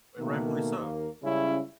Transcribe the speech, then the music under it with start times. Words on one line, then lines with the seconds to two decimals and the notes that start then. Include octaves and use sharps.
And rightfully so.
0.19 B2 D#3 A3 A#3
0.77 D#2 A#3
1.23 C#2 C#3 G3 C#4 E4